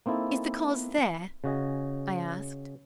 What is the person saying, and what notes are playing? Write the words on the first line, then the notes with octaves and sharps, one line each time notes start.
"Is the cause there?" I asked.
A#3 C4 D#4 E4 A4
C#3 F#4 D#5 G#5